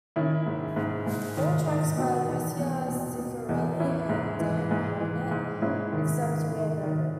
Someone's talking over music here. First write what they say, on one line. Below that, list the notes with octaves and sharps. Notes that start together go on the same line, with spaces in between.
All tracks by Lucia Cifarelli and Dan Harnett except where noted.
D#3 C#4 E4
G#2
G#2
G#2
D#3
D#3
B2 D#4 F#4
E2
E2
B2
B2
E2
E3 C#4 E4
G#2
E3
G#2
E3
G#2
G#2 C#4 E4
D#3
D#3
D#3
D#3